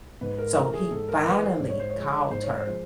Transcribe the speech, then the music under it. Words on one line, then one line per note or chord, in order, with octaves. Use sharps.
So he finally called her,
G#2 B4
A#4
E3 A3 A#4
G#4
G#2 A4
A#4
E3 A3 B4
C5
G#2 D5
C#5
C5
C#5
F3 G#3
G#2 C5
C#5
C5
F3 G#3